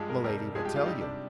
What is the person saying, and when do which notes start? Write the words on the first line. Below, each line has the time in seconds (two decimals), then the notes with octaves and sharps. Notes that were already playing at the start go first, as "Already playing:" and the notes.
"Milady will tell you."
Already playing: G2 F3 G#3
0.10 A#4
0.24 F2 C3 G3 A#4
0.55 G2 F3 G#3 G#4
0.65 G4
0.76 F4
0.86 C3 G3 D#4
1.01 D4